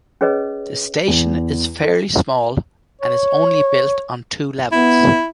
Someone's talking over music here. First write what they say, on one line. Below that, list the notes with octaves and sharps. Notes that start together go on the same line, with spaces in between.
The station is fairly small and is only built on two levels.
C#4 G#4 B4 C#5 D#5
E2
A4
C#5
B3 E4